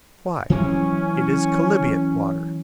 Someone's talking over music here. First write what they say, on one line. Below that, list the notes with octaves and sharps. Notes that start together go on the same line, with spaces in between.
"Why, it is chalybeate water!"
E3 F#3 G#3 C#4